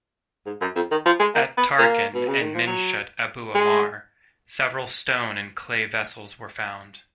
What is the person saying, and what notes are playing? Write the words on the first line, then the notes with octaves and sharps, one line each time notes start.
At Tarkhan and Minshat Abu Omar, several stone- and clay vessels were found.
G#2
F#2
F2
D#3
F3
G#3
A#3
B3
A#3
B2
C#3
D#3
F3
F#3
G#3